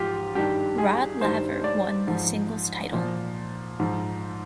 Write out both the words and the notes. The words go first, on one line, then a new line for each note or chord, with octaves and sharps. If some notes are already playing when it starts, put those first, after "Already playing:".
Rod Laver won the singles title.
Already playing: G#2 F3 F4 G4
G2 D#3 G3 G4
G#4
G2 D#3 G3 C5
D5
G#2 F3
A#2 F3
G#2 F3